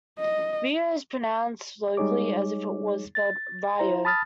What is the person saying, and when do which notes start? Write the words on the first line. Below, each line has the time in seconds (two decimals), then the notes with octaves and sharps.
Rio is pronounced locally as if it were spelled Rye-oh.
0.19 D#5
1.97 G3 G#3 D#4 G#4 C#5 D6
3.15 A6
3.79 E4 C5 A#5
4.05 A5 B5 D#6 F6 A6